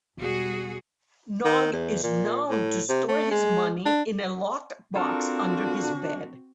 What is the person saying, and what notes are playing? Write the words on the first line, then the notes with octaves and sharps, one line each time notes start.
Nog is known to store his money in a locked box under his bed.
E1 G3 B3 F#4 G#4
D#3
E2
A#2
A2
C3
A3
G#3
D4
C4 D4 F4 F#4 A4 A#4